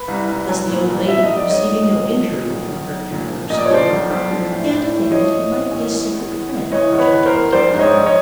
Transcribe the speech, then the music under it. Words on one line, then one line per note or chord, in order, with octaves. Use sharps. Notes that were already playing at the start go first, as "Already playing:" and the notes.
Thus the old lady, receiving no injury from her apparent persecutor, began to think that he might be a secret friend watching to protect her.
Already playing: B4
C2
C2
F#3
A#2
C2
F3 E5
D#5
B1
D5
B1 C#5 D#5
A#2
B1
F3
A#2
B1
B1
B1
A#2
F3
A#2 D#5
D5
C#5
F3 C5 D5
B1
B1
F3
A2
A2
A2
F3 C#5 D#5
A2
A1
A1
E3
E2
E2
E2
E3 C#5 D#5
E2
B4 C#5
E2
A#4 C5
E2
A#1 C5 D5
G#2
C#5 D#5
A#1
C#5 D#5